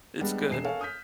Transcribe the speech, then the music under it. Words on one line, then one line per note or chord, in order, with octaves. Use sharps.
It's good.
G3 G#3 B3 D4
E1 C7 E7
A4 A#4 C#5 F5 G#5
D#6 F6 G6 B6